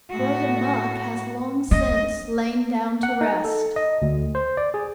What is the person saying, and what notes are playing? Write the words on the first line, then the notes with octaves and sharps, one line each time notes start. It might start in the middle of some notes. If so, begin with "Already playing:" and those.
William Buck has long since lain down to rest.
A2 F#4
D4 D#5
F#5
D#4
A4
D#5
D2
C5
D5
G#4